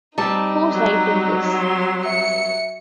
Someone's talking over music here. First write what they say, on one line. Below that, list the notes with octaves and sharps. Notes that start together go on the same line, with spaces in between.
Who's right in this?
G3 C4 D#4 A5
F#3
C6
E5 C#7